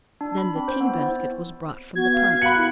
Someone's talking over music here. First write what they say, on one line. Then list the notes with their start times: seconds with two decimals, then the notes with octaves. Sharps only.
Then the tea-basket was brought from the punt.
0.21 D4
0.38 B5
0.56 C4
0.68 C5
0.80 B3
0.94 E4
1.95 B3 F#4 G#6
2.13 F5
2.42 F#4 B5 F#6 C#7
2.57 E4